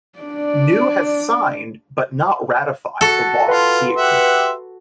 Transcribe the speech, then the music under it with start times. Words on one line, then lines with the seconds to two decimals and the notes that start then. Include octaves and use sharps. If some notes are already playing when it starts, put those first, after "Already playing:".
Niue has signed but not ratified the Law of the Sea agreement.
0.19 D4 D5
3.01 F#4 A4
3.48 F4 B4 C6
3.96 G4 E5 F#5